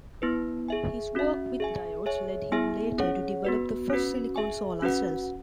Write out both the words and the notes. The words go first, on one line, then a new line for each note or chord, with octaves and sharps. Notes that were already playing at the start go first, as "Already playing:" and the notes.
His work with diodes led him later to develop the first silicon solar cells.
B3 E4 B4
G#4 E5 G#5
C#4 F#4 E5
G#4 E5 G#5
G#4 C#5 E5 G#5
B3 E4 G#4 E5 G#5
C#4 G#4 C#5 F#5
B3 F#4 B4
C#4 F#4 B4
G#4 E5 G#5
C#4 F#4 B4 F#5